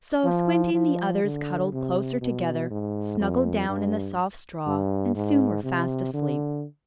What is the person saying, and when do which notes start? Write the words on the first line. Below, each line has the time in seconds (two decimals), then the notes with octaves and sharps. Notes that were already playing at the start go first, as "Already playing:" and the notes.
So Squinty and the others cuddled closer together, snuggled down in the soft straw, and soon were fast asleep.
0.25 F3
0.74 F3
1.24 D3
1.72 C3
2.21 B2
2.70 G#2
3.20 F2
3.68 G2
4.66 G2
5.15 G#2
5.64 C3
6.14 D3